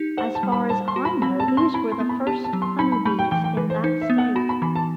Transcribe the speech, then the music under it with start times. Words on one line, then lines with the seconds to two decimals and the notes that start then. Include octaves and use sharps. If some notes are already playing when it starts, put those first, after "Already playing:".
As far as I know these were the first honey bees in that state.
Already playing: D#4 G4
0.17 C5 F#5
0.35 A5
0.43 G3
0.52 B5
0.69 C5 A5
0.88 C6
0.96 F#4
1.05 B5
1.22 C4 B5
1.40 A5
1.48 C4
1.57 C6
1.74 E4 B5
1.92 C6
2.00 B3
2.09 B5
2.27 G4 A5
2.44 A5
2.53 F#3
2.62 C6
2.79 D#4 B5
2.92 B5
3.05 A3 B5
3.19 G5
3.31 E3 G5
3.44 G5
3.57 E3 B4
3.70 C5
3.83 D#4 C5
4.01 E5
4.10 B3
4.18 F#5
4.35 F#4 B5
4.49 B5
4.62 E3 B5
4.75 A5